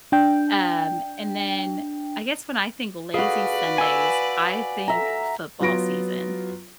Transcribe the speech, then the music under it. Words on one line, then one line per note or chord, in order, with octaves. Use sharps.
Um, and then I guess when I think lazy Sundays, I think football season.
D4 G5
F#4 G#4 B4 D5 F5
G#5 E6
E5 A#5
F#3 B3 F4 A#6 D7